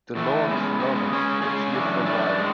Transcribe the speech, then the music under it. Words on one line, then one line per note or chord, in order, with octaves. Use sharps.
The Lord loveth a cheerful liar.
A2 E3 A3 E4
C#3 G#3 B3
C#3 G#3 B3
C#3 G#3 C#4 G#4
C#3 G#3 C#4 G#4
F#2 E3 A3 D4
F#2 E3 A3 D4
A2 G#3